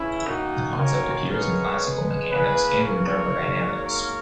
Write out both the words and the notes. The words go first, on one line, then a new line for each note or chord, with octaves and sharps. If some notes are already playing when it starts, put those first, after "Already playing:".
The concept appears in classical mechanics and in thermodynamics.
Already playing: C#3 E3 C#4 E4
F#2 D#3 A#3 D#4 F#4
A#4 C#5
C#3 G#3 B3 A#4 C#5
C#3 E3 A#3 G#4 B4
A#4 C#5
G#2 F#3 A#3
A#4 C#5